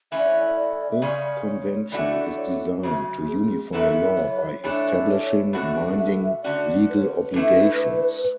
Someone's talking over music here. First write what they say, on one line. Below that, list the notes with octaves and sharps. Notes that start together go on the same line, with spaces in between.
A convention is designed to unify law by establishing binding legal obligations.
E3 A3 C#4 E4 E5
D5
C#5
D5
D5
E5
C#3 G#3 C#4 D5
C#5
E3 A3 D4 F#4 D5
C#5
F#2 C#3 F#4
G#4
F#2 E3 B3 E4 A4
C#5
E3 A3 D4 C#5
C#5
B2 A3 D4 F#4
E5
D3 A3 C#4 F#4 D5
B4
C#5
B4
D3 A3 E4